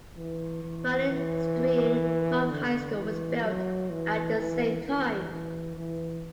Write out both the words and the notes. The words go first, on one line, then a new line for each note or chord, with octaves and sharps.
Valley Stream North High School was built at the same time.
E3
E3
E3
D3
E3
F#3
E3
E3
E3
E3
E3